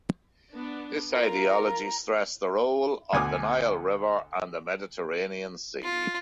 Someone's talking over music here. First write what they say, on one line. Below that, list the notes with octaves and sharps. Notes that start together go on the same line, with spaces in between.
This ideology stressed the role of the Nile River and the Mediterranean Sea.
B3 D4
F4 A#4 A#5
D2 B2 G#5 D6 D#6 F6
F4